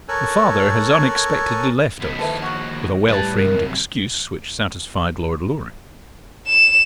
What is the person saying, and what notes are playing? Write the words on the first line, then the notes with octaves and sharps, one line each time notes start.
The Father has unexpectedly left us--with a well-framed excuse which satisfied Lord Loring.
A4 A#4 C#5 G#5 E6 F#6
C#2 B3
D#2 F3 A4 B4 E5
F#3 F#4
A2 G3 B4 A5
C2 F#2 A#4
E7